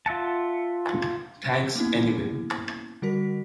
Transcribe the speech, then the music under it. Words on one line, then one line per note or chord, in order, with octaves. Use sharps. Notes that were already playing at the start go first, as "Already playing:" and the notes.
Thanks anyway.
F4 E5 F#5 A5
A#3 B3 C#4 E4
D3 G3 F#4 A#4 B6